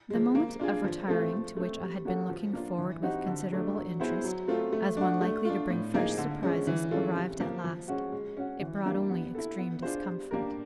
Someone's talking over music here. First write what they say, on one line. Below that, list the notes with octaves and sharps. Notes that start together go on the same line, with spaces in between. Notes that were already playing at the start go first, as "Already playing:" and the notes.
The moment of retiring, to which I had been looking forward with considerable interest as one likely to bring fresh surprises, arrived at last: it brought only extreme discomfort.
F3 G#3
A#3
D4 F4 G#4
F3
A3 C4 F4 A4
F3
A3 C4
G3
A#3 C#4 F#4 A4
F3
A#3 D4 F4
E3
G3 C4 D#4 F#4
D3
F#3 A3 D4
F#3
B3 E4 G#4 C5
F#3
A3 C4 F4 A4
A3
D4 F#4
A3
D4 F4
A2
F3 A#3 D#4 G#4
D3
F3 G#3 C#4
E3
G#3 C#4 F4 A4
C3
F3 A#3
F3
G#3 C#4 F#4
G#3
C#4 F#4
E3
G3 A#3 D4 G4
B3
E4 A4
B3
D4 F4 G#4 C5
G3
A#3 D4 G4 A#4